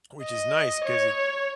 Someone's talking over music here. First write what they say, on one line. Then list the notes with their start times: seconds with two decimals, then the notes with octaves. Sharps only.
which is nice 'cause it
0.22 D#5
0.85 C#5